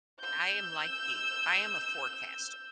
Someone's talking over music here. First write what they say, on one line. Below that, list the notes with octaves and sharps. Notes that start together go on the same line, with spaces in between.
I am like you, I am a forecaster.
E6 G6